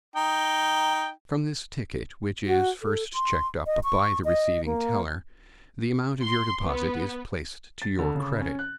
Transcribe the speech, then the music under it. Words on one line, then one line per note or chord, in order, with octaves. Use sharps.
From this ticket, which is first checked up by the receiving teller, the amount of your deposit is placed to your credit.
D#4 G5
F#4
A4
C6
D#5
C#6
D#5
A#3
C6
B3
A6
D3
C#3
C#4
F#6